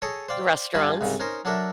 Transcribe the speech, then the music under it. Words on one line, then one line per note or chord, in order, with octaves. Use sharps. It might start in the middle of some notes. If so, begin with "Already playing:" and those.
The restaurants.
G#4 A4 C#5 D#5
C5 D5 F5 G5
G2 F4 G#5 A5 B5
C2 G#2 C#3
C#4 D#4 A#4 C5
F#3 D4 A4 A#4 E5